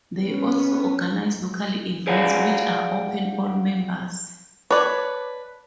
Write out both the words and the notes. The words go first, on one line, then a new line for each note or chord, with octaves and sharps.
They also organize local events which are open all members.
B3 C#4
G#4 C5 D5 F5 F#5 G#5
B4 C#5 D5 A5